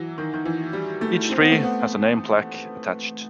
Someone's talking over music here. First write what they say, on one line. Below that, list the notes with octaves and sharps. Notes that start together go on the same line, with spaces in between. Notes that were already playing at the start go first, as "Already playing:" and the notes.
Each tree has a name plaque attached.
Already playing: E3 F#3
D#3
D#3
E3
G3
A3
C4
B3
A3
B3